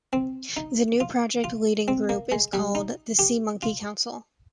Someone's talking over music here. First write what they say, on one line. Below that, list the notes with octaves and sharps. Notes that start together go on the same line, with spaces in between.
The new project-leading group is called the "SeaMonkey Council".
C4
D#4
F4
F4
C4
A#3
G#3
G3
D#4
G4
F4